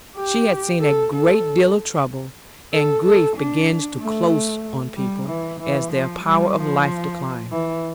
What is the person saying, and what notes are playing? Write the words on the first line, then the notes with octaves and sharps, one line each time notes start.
She had seen a great deal of trouble; and grief begins to close on people, as their power of life declines.
G4
A4
A4
A4
A4
D4
A3
G3
E3
E3
F3
G3
F3
E3